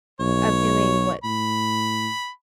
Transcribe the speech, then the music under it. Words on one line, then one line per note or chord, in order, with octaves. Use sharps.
of doing what
B1 C#5
A2 B5